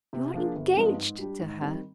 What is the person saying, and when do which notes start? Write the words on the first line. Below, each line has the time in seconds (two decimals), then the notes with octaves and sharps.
"You are engaged to her!"
0.13 C3
0.34 F3 A#3 D4 G#4
0.56 G1
0.77 G2 F3 G#3 C4
0.98 G#2
1.18 G3 D4 G4
1.40 G#2
1.61 D#3 G3 C4